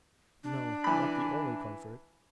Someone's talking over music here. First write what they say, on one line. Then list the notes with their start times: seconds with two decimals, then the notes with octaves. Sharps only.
No; not the only comfort.
0.44 D4
0.84 E3 B5